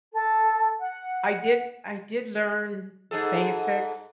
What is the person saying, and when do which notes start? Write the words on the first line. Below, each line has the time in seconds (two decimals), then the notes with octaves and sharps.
I did I did learn basics,
0.12 A4
0.80 F#5
3.11 G#2 G#4 A4